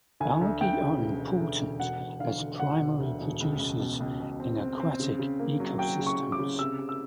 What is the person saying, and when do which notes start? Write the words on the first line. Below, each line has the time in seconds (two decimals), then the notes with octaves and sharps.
Algae are important as primary producers in aquatic ecosystems.
0.20 D2 G#5
0.41 D2
0.60 D2 G5
0.81 C#3
1.00 E1
1.20 E1
1.40 D2
1.61 E1
1.80 E1 F#5
2.00 E1
2.20 D3 F5
2.40 D3
2.60 E1 F#5
2.80 E1
3.00 D2
3.20 E1
3.40 C#2
3.59 C#2
3.80 B2
4.00 C#2
4.20 B2
4.40 C4
4.60 C4
4.80 C4
5.00 C#3
5.19 C#3
5.40 A#3
5.60 F#3
5.79 F#3 G5
5.99 C#3
6.07 C#6
6.20 F#3
6.32 D6
6.39 C#3
6.59 C3 E6
6.79 C3
6.89 E6